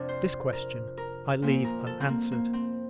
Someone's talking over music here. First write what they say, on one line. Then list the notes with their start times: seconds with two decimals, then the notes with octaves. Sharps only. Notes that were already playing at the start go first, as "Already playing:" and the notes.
This question I leave unanswered.
Already playing: F2 C3 F3 C4 D4
0.09 C5
0.53 A#4
0.97 A#4
1.42 A#2 F3 A#3
1.64 A#4
1.87 A4
2.00 C4
2.09 A#3
2.32 A#3
2.53 C4